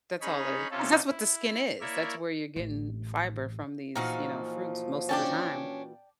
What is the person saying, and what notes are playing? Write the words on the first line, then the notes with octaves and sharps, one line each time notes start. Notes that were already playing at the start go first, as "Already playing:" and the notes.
That's all is. That's just what the skin is, that's where you're getting fiber from these, you know, fruits most of the time.
C#4 D#4 G#4 C#5 B5
C3 C#4 F4 A4
E4
A#3 E4 C#5 D5 E5
A1
A#2 E3 F3 D#4 F#4 F5
C#4 D4 D5 G5 A5